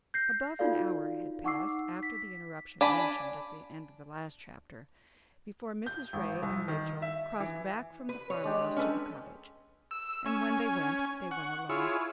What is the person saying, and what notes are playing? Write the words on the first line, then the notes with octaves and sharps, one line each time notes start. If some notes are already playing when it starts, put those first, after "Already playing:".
Above an hour had passed after the interruption mentioned at the end of the last chapter before Mrs. Ray and Rachel crossed back from the farm-house to the cottage, and when they went they went alone.
G6 A#6 C7
D#4 F4 F#4 A4 D5 F5
D#4 F#5 C#6 D6 E6 C7
B6
D4 G#5 B5
G6
G#1
C2
D#3
E5
E3
B4
C#5
G#3 D4 G4
C#4 G#4 A4 B4
E6
C#4 G#5
F#5 C#6
E4 F4 G#4 C#5